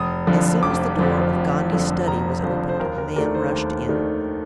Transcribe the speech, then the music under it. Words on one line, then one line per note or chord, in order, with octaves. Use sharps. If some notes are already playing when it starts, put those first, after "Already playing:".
As soon as the door of Gondy's study was opened a man rushed in.
Already playing: F1 D#6
F2 D3 F3
F1 D6
F2 D3 F3
F1
F2 D3 F3
F1 A#5
F2 D3 F3 C5
C5
D#2 A#4
A#4
D#3 A3 D4 A#4
C5
D#2
D#3 A3 D4